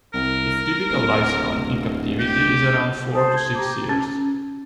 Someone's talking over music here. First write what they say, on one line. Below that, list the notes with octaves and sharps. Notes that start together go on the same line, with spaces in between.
Its typical lifespan in captivity is around four to six years.
C2 A#4
D1
G4
C5 A5 D#6
G#6
G4 A#5 D6
C#4